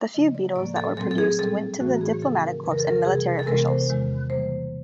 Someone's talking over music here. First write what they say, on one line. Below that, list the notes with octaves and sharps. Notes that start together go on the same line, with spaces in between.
The few Beetles that were produced went to the diplomatic corps and military officials.
C#3 F3 A#3 D#5
D5
A2 F3 A#3 D5
A4
A#2 F#3 A3 C4 A4
A4
G#4
A#2 G3 C4 A4
A2 E3 A3 C4 F#4
G#4
C#3 F3 A3 C4 A4
A#4
F2 C#3 E3 B4
A#4
A4
A#4
C3 E3 G3 G#4
A4
C3 E3 G#3 B3 A#4
C5
E2 C3 D#3 G#3
C#3 E3 G3 A#3 C5